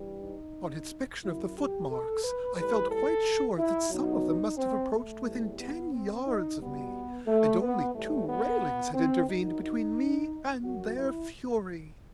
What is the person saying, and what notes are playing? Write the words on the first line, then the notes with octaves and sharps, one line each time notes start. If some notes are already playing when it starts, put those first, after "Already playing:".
On inspection of the footmarks, I felt quite sure that some of them must have approached within ten yards of me, and only two railings had intervened between me and their fury.
Already playing: G2 E3 G3
D#4
F#2 F#3 E4
G4
A4
B4
A2 E3 G3 B4
A4
E4
B2 F#3 D#4
C4
A3
E2 C3 E3 G3
B3
C4
D#4
B2 G3 B3
A3
B3
A2 E3 G3 A3
B3
C4
F#2 F#3 D#4
D#4
F#2 F#3 F#4
E4